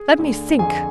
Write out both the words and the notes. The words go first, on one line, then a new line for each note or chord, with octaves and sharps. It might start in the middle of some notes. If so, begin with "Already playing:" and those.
"Let me think."
Already playing: G#4 G#5
D2 D3
F2 D3 G#4 G#5